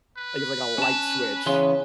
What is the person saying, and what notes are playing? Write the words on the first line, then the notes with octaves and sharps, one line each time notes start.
I get, like, a light switch,
B4
C#4 A5
C#3 E3 B3 C6